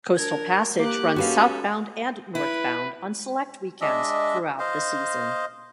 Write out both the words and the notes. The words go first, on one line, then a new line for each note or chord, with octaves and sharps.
Coastal Passage runs southbound and northbound on select weekends throughout the season.
D4 A#4 G#6
A#3 G4 D6 F#6
C#4 F#4 A4 B4 F5
E4 B4
G#3 D4 D#5 E5
C5 D#5 F5